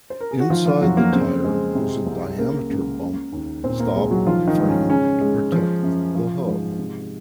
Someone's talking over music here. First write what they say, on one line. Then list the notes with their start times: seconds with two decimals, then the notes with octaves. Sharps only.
Inside the tire was a diameter bump stop frame to protect the hub.
0.10 C5
0.21 A#4
0.31 G#4
0.40 F#4
0.50 D#3 F3 F4
0.66 F3 F4
0.81 F2 F#3 F#4
0.97 A#3 A#4
1.13 C#3 C4 C5
1.44 G#3
1.75 C3
2.07 C2
2.38 C#3 A#3 A#4
2.70 C#2
3.01 C#3
3.33 D#2
3.64 A#2 C4 C5
3.80 A#3 A#4
3.95 C2 G#3 G#4
4.10 F#3 F#4
4.26 D#3 F3 F4
4.47 D#3 D#4
4.58 G#2
4.68 C#4
4.90 C#3 C#4
5.21 G#3
5.52 F3
5.83 F#2
6.15 F3 F4
6.47 G#2
6.78 C3